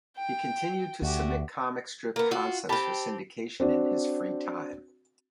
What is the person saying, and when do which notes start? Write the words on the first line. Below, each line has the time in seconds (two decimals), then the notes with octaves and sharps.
He continued to submit comic strip concepts for syndication in his free time.
0.17 G5
1.02 D2 F#4 G4
2.16 A#3 B3
2.31 F4 F#4
2.69 C4 G4 A5 B5
3.60 C4 D4 F#4